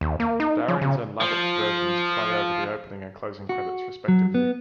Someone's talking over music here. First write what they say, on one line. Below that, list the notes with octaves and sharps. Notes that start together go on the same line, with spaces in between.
Darin's and Lovett's versions play over the opening and closing credits, respectively.
D#2
A#3
D#4
F3
C#3
F3 F4
F#4
F#3
B3